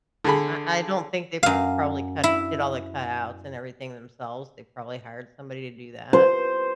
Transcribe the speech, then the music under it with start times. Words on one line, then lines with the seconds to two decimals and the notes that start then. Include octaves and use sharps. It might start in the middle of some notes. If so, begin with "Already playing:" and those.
Uh, I don't think they probably cut did all the cutouts, and everything themselves, they probably hired somebody to do that.
0.24 D3 G#4 B5
1.43 F#2 F5
2.24 E4
6.13 C5